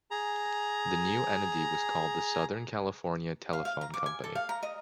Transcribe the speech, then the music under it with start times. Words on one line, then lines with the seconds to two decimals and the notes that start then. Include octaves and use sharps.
The new entity was called The Southern California Telephone C.
0.11 G#4 A#5
3.53 F5
3.65 F5
3.81 A#5
3.94 D6
4.06 G#5
4.24 A4
4.35 F5
4.49 A#5
4.63 D#5